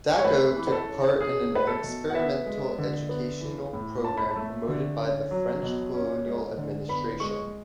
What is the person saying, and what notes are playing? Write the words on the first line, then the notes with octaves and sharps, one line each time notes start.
Dacko took part in an experimental educational program promoted by the French colonial administration.
C#5
A3 B4
E3
B4
A4
C#4
C#4 G#4
A3 B4
A4
B2
F#5
B3 E5
G#3
D3
B3
E3
A2
C#4 A5
B5
A5
A3
D3
C#4
F#3
B2
C#4
G#3
D3
B3 B5
G#3 C#6